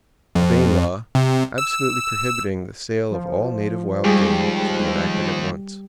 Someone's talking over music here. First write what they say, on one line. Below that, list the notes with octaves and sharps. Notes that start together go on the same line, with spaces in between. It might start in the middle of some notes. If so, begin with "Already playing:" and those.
A Bayne law, absolutely prohibiting the sale of all native wild game, should be enacted at once.
F2
C3
E6
F3
D#2 G3 G#3 G#4